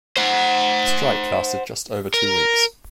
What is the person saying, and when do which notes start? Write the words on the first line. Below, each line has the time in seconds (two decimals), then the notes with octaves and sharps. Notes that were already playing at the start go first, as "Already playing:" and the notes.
The strike lasted just over two weeks.
0.17 C5 F#5
2.14 A#4